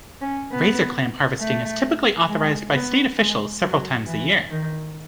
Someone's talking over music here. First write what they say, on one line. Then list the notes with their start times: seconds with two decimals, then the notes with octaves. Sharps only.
Razor Clam harvesting is typically authorized by state officials several times a year.
0.22 C#4
0.51 B3
1.40 A3
2.29 G#3
2.74 B3
3.17 G#3
3.61 F#3
4.06 E3
4.51 D#3